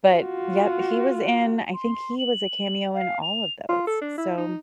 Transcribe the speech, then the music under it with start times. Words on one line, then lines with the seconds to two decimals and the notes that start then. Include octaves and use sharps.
But yep, he was in I think he was a cameo in all of those, so.
0.10 F4 F#4
1.74 C6
2.19 F#7
2.95 F5
3.23 F7
3.69 F4
3.87 A4
4.02 D4
4.18 E4
4.38 D#4